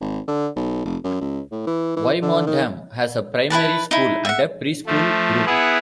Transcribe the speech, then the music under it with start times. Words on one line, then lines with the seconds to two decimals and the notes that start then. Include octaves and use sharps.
Wymondham has a primary school and a pre-school group.
0.01 G#1
0.28 D3
0.56 B1
0.85 F1
1.04 F#2
1.21 C#2
1.52 A2
1.67 E3
1.97 E3
2.22 D3
2.47 D#3
3.50 E4 G#4 B4 A5
3.91 D#4 E4
4.25 E5 F#5
4.86 F3 A3
5.46 B3 E4 G#4 F#5